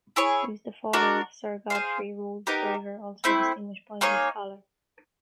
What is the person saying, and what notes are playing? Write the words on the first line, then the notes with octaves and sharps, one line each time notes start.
He was the father of Sir Godfrey Rolles Driver, also a distinguished Bible scholar.
E4 G#4 C#5
D4 F#4 A#4
G#4 C5 F5
B3 D#4 G4 A#4
A3 C4 E4
A#3 D#4 G#4 C#5